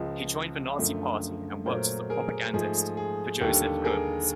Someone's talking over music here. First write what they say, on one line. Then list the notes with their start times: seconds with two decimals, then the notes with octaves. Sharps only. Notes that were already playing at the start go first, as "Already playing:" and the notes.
He joined the Nazi Party and worked as a propagandist for Joseph Goebbels.
Already playing: C#2 C#3 F3
0.79 F#2 D3 F3 A3
1.66 A#2 F#3 A3 A#4 C5
2.10 G#4 A#4
2.54 G#2 F3 A3 G#4
2.97 G#4
3.41 D#2 D3 G3 G4 A4
3.84 G#4 A#4